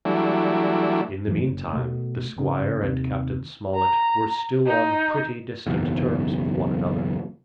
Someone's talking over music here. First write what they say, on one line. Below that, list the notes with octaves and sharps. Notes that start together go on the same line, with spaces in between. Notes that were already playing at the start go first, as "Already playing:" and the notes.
In the meantime, the squire and Captain Smollett were still on pretty distant terms with one another.
E3 F#3 G3 A3 D4 E4
F#2 A2 C3 E3
F#1
B2 A3
G#1 C#3
D#2 C3
A#5
D#4
F#1 B1 E2